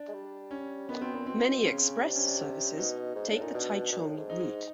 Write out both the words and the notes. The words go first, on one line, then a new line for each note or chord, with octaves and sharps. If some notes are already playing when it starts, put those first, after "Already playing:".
Many express services take the Taichung route.
Already playing: D4
G#3
G3
C#4
D#3 B3
B2 C4
A#2 B3
B2 C4
C#3 C#4
C3 D4
C#4
D4
B2 D#4
G#2
A2 D4
A#2 D#4
B2 D4
B2
A#2
A2
G#2
D#4